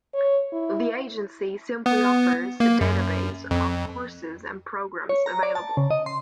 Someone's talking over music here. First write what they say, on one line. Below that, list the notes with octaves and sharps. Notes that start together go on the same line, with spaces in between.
The agency simply offers a database of courses and programmes available.
C#5
E4
B3
A#3
F#2
F2
C#5
A#5
D5
A5
C#3
D#5
C6